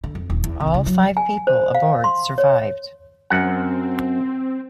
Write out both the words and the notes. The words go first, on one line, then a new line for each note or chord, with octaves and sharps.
All five people aboard survived.
D3
F2
D#1
E2
C2
C#3
F#3
G#5
C5
F5
C6
C#5
F#2 C4 F#5